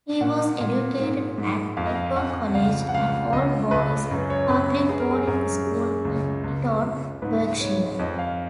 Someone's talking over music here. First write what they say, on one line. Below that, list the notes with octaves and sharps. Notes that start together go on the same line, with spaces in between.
He was educated at Eton College, an all-boys public boarding school in Eton, Berkshire.
A#2 F#5
A#2
G#2
G#2
F2 F5
D#5
F5
F2 F#5
C#2 F5
F#5
C#2 F5
C#2 D#5
C#2 B4
F#2
C#5
F#2 B4
F#2 G#4
A#4
G#4
F#2 G#4
G#3
C#2
C#2
C#2
G#2 B4
G#2 C#5
F2 D#5
F5